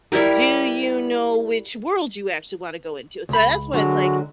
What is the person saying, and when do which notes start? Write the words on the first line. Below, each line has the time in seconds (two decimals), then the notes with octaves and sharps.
do you know which world you actually wanna go into, so that's why it's like,
0.12 G3 E4 G4 A#4
3.29 C#2 B5
3.74 D3 F#3 G#3 F#4